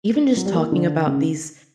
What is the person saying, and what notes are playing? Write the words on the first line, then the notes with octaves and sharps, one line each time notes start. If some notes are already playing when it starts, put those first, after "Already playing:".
Even just talking about these
F#3
G3
A#3
E3
D3
C#3